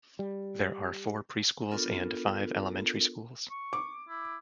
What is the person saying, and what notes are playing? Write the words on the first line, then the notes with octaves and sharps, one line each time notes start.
There are four preschools and five elementary schools.
G3
B3 D4 F4 A4 A#4
C#6
D6
E4